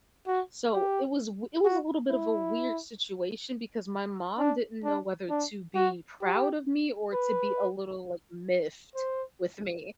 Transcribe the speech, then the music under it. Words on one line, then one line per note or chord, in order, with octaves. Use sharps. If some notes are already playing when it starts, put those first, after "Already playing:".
So, it was wi it was a little bit of a weird situation because my mom didn't know whether to be proud of me or to be a little, like, miffed with me.
F#4
G4
F#4
E4
D4
D4
D4
F#4
G4
B4
C5